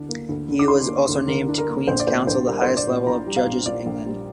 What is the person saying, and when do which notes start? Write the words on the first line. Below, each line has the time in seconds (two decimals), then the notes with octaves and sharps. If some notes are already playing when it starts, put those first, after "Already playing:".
He was also named to Queens Counsel, the highest level of judges in England.
Already playing: D2 D3 D4
0.09 A#3
0.29 D2
0.49 D3
0.59 D6
0.68 D4 C6
0.89 A#3
1.08 D2
1.28 D3 A#4
1.48 D4
1.58 A#4
1.68 A#3
1.87 A#1 C5
2.00 D5
2.07 A#2 C5
2.27 A#1 C5
2.47 G3 A#4
2.62 A#1 C5
2.77 D5
2.87 A#2
3.07 A#1 A#5
3.26 G3
3.36 F5
3.46 A#1
3.66 A#2 D5
3.86 A#1
4.06 G3